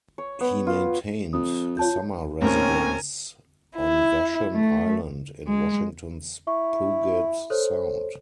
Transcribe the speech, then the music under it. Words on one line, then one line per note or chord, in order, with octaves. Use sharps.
He maintained a summer residence on Vashon Island in Washington's Puget Sound.
C#5
B3
F4
F2 D#6
F4 C#5 A5 G6
D#2 A2 C4 C#4 A#4 G#5
E4
A3
G#3
E4 C#6
A4 C5 C#5